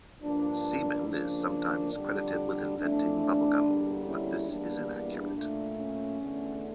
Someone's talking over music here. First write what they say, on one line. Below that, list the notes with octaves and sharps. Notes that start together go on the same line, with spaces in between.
Semon is sometimes credited with inventing bubble gum, but this is inaccurate.
G2 F3 A#3 D4
C#3 F3 A#3 D4
F2 D3 G3 D4
F2 E3 A3 D4
E2 D3 G3 A#3
C#4 E4
E2 E3 G3 A#3 D4
A#2 A3
C#4
E2 D3 A3